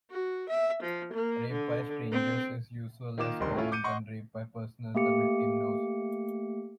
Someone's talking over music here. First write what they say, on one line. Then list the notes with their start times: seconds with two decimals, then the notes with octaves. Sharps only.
Rape by strangers is usually less common than rape by persons the victim knows.
0.11 F#4
0.50 E5
0.83 F3
1.13 A#3
1.51 D3
2.12 C4
3.18 D#3 A#3 F4 D6 E7
3.40 F1 D2 D#3 G3 G4 C6
3.56 A3 C#4 E4 F4 F5
3.72 D6 G6 C#7 D#7
3.84 D#5 F#5 C6 C#6
4.95 A3 A#3 G4 C#7